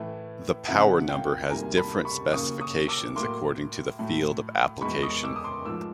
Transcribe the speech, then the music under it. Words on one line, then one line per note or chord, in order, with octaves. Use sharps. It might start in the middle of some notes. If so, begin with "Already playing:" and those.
The power-number has different specifications according to the field of application.
Already playing: A2 E3 A3
F2 C#3 F3 E5 F#5
F5 G5
D2 C3 D#3 G3 A#3 G#5 A#5
A5 B5
B5 C#6
D#2 C#3 F#3 A#3 C#6 D#6
C#6 D#6
D6 E6
A2 F#3 A#3 C6 D6
A2 F#3 A3
E2 B2 G#3 B5 C#6
C#6 D#6
D6 E6
D#6
C6 D6
G#2 F3 A3 D6 E6